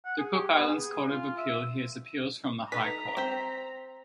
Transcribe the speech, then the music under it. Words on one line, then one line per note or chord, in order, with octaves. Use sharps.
The Cook Islands Court of Appeal hears appeals from the High Court.
F#5
G#4
G4
B3
G#4
F4
E5
D#4 A4 B4 A#5 B6
C4 G5